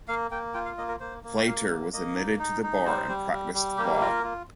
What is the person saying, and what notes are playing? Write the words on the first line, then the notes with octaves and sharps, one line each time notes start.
Plater was admitted to the bar and practiced law.
A#3 F5
A#3 G5
F4 G5
F5
A#3 D#5
A#4
A#3 C5
A#3
G5
A#3 F5
A#3
A#3 D#5
D#4
D#4
D#4
G3 C5
G3
G3
G3
A#3 G4
F4 A#4
F4